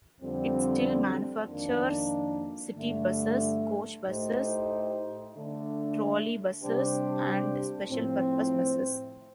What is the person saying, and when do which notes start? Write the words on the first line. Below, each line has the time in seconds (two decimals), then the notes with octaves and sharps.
It still manufactures city buses, coach buses, trolley buses, and special purpose buses.
0.21 F2 D3 G3 C4
1.49 F2 D#3 A#3 D4
2.77 G2 D3 A3
4.06 A2 A3 D#4 G4 C5
5.34 D3 A3 D4
6.62 C3 G3 D4 G4 C5
7.90 A2 F3 C4